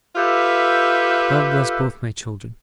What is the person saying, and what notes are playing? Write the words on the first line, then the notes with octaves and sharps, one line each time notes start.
God bless both my children!
F4 G4 A4 B4 E5